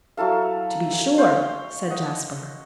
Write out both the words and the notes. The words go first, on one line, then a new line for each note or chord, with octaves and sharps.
"To be sure," said Jasper.
F#3 E4 A4 F5
G#5
C#5 F5 G5 C6
D#5 F#5